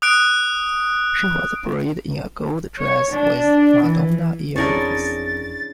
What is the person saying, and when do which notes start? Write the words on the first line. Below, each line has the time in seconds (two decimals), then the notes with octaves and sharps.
She was buried in a gold dress with Madonna earrings.
0.02 D#6 F#6 D7
2.79 C#5
3.11 D4
3.85 E3
4.56 F2 C#4 D4 E4 G#4 A#4 C#5 A6